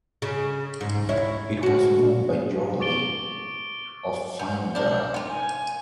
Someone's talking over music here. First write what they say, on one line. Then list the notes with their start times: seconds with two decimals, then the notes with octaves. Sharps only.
It was won by George Lee of Fine Gael.
0.22 C#3
0.81 G#2
1.09 E4 C#5
1.63 D2 F#4
2.80 C#6 D6 A6 D7 G7
4.39 F#3 G6
4.75 A#3 D4
5.14 D#3 F3
5.29 G#5